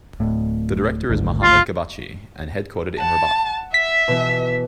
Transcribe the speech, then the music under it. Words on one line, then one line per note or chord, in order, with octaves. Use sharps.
The director is Mohammed Khabbachi, and headquartered in Rabat.
D1 A2
G#1 D2
F4
F#5 A5
E5 B6
B2 E3